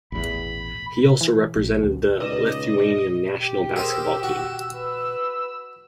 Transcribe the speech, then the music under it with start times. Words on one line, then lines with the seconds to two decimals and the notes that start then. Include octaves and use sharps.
He also represented the Lithuanian national basketball team.
0.12 A1 E2 B5
1.21 E3
1.56 A#1
1.83 D2
2.20 C#2 D#4 B4 D5 D#5 E7
3.41 G4
3.76 G#4 A#4 C5 E6
4.23 F#4
4.75 B4